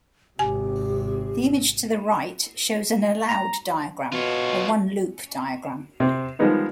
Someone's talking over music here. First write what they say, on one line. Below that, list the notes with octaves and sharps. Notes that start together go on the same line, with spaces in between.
The image to the right shows an allowed diagram, a one-loop diagram.
G#1 C3 G4 G#5
A#5
B2 F4 C#5
C3 C4
D#3 F3 G3 G#3 B3 D#4